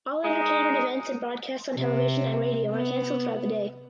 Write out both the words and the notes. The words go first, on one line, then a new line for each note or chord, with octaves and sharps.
All entertainment events and broadcasts on television and radio are canceled throughout the day.
G#3 D#4
C3
B3